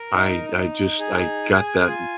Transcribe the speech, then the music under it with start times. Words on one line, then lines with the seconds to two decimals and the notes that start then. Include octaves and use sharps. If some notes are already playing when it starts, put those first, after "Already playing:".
I I just I got that
Already playing: A#4
0.13 D#4
0.57 D#4
0.99 G#4
1.44 G#5
1.86 F4